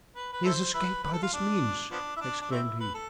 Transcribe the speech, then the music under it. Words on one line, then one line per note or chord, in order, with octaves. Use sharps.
"He has escaped by this means," exclaimed he.
B4
B4
E4 A4 C5
E4 B4
B4
A4
F4
D4
F3 B3 D4
E4
D4
D4
A3 C4 E4
B4
A4